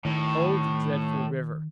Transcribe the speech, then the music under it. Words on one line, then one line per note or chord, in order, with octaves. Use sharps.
Oh, the dreadful river!'
A2 D#3